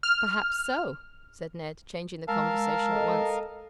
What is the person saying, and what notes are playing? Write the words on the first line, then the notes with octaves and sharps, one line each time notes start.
"Perhaps so," said Ned, changing the conversation at once.
F6
G#3 A#4 F5 A5 E6
A4 D#5